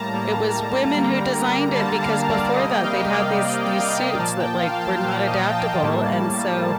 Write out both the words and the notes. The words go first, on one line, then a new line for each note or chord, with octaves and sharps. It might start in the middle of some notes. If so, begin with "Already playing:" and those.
It was women who designed it because before that they'd had these these suits that, like, were not adaptable and so
Already playing: A2 G3 A#3 A5 A#5
A2 G3 A#3
D3 G3 A#3
D3 G3 A#3 A5
F5
D5
C3 G3 A#3 D#5
G5
F5
D5
C3 G3 A#3
G5
F5
G5
A#2 F3 A#3 A5
G5
F5
A5
A#2 F3 A#3 F5
D#5
G5
A5
A2 G3 A#3